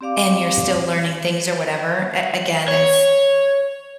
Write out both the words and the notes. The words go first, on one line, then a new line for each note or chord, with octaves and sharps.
and you're still learning things, or whatever, a again, as
C4 G4 D5 F5 D6
C#5